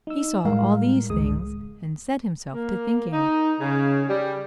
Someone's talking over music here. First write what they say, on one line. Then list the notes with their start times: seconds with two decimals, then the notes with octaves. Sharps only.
He saw all these things, and set himself to thinking.
0.07 D#4 E6
0.45 A2 G3 G#3 A#4 F5
1.10 G#1 C#2 G#3 D#6
2.53 A#3
3.13 D#4
3.60 C#3
4.08 G3